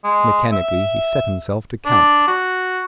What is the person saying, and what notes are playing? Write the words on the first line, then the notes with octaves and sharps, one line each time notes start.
Mechanically he set himself to count.
G#3
E5
D4
F#4